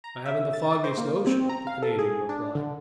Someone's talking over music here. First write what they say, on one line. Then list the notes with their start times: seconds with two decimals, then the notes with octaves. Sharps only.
"I haven't the foggiest notion," the Canadian replied.
0.04 A#5
0.25 E5
0.53 A6
0.84 C5
0.98 A#3
1.27 C4
1.49 A#5
1.67 F5
1.83 A4
1.99 G#4
2.29 D4
2.55 D3